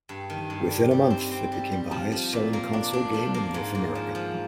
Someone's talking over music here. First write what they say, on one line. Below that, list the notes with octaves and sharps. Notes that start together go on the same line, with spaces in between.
Within a month, it became the highest selling console game in North America.
G2
D#3
G2
G3
G3
C4
C4
G3
G3
F3
F3
A#2
A#3
D4
D4
F3
A#3
G#2
A#3
F3
F3